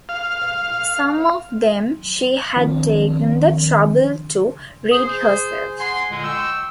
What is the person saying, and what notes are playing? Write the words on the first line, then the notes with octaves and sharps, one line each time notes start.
Some of them she had taken the trouble to read herself.
F5
D#3 F3 C4 D4
G#4 C5 D#6
F#5 G#5 C6
A#2 D3 G#3
G5 C#6 E6